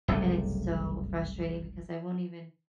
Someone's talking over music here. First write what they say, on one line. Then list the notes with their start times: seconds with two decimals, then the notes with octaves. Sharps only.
and it's so frustrating because I won't even
0.08 F#1 C2 G2 A3